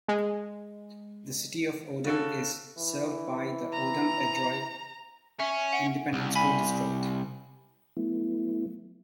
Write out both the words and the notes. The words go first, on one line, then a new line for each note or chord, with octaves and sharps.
The City of Odem is served by the Odem-Edroy Independent School District.
G#3
C#3 F#4 A4
E3
A#5
C#4 E5
F#5 D7
C2
G#5 B5 B6
F#3 A3 B3 E4